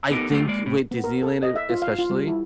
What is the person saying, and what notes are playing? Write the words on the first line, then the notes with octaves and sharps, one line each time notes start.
I think with Disneyland, it especially,
B3 D#4 G4 A4 A#4 D#5
D3 A3 C4 F4 G4
G#3 A#3 D5
A2
B3
A#4
A4
D#5
E5
F4
F5
F4
G3
E4